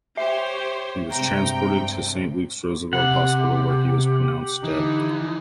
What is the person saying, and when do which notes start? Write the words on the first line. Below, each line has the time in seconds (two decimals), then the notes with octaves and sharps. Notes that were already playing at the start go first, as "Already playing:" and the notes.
He was transported to Saint Luke's-Roosevelt Hospital, where he was pronounced dead.
0.17 G4 C5 C#5 E5
1.11 G2 C3 G#3 G5 A#5
2.93 C3 G4 F#5
4.64 D3 E3 D#4